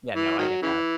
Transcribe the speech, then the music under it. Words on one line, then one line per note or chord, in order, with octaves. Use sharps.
Yeah, no, I get that.
E3
D#3 F#3
C#3 E3